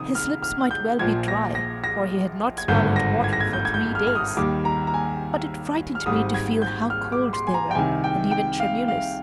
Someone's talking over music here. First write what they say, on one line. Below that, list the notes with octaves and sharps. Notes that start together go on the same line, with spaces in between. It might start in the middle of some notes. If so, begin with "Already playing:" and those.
His lips might well be dry, for he had not swallowed water for three days; but it frightened me to feel how cold they were, and even tremulous.
Already playing: F1 F2 D#3 D#6
F6
F6
G6
A#1 A#2 F3 G#6
A#6
A#6
A#6
G#6
G#1 G2 D3 G6
A#6
G#6
A#6
G#6
G6
G#6
G6
F6
F6
D#6
D#2 D#3 G3 D6
A#5
A#5
G#5
F6
G#1 G#2 G3 D#6
G#6
G6
F6
D6
C6
G#5
A#5
G5
C2 C3 D#3 G#5
G5
G5
F5
F5